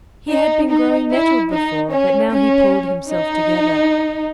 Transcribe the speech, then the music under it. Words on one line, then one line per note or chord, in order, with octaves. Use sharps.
He had been growing nettled before, but now he pulled himself together.
D#4
D#4
E4
D#4
C#4
C#4
D#4